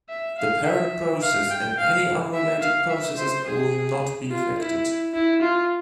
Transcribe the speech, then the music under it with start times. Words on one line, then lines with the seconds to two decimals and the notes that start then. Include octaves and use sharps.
The parent process and any unrelated processes will not be affected.
0.09 E5
0.38 F5
0.65 E5
1.22 F5
1.50 G5
1.78 F5
2.34 E5
2.61 F5
2.89 E5
3.17 C5
3.45 G#4
4.30 F4
4.58 E4
5.14 E4
5.42 F4